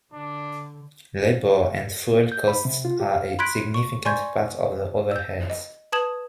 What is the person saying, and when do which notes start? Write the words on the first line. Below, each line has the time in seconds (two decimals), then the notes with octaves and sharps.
Labor and fuel costs are a significant part of the overhead.
0.13 D3 D4
2.13 A#3
2.32 G6
2.48 B5
2.65 C3
2.85 F4
3.00 G4
3.14 F5
3.39 B5 C6 F#6 G#6 B6 D7
3.74 C#6
4.05 D5 G#5 C6 C#6 G6 G#6
5.11 E6 G6
5.50 D#5
5.92 B4 A5 D#6 G#6 E7 F#7